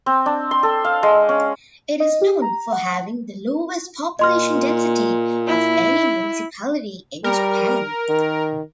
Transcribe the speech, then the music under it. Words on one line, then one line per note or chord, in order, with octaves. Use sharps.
It is known for having the lowest population density of any municipality in Japan.
C4
D4
C6
A4
F5
G#3
C#4
D#5
G4
A#5
F#5
A#2 D#5 C6 F6
E4
G3 A#4
D#3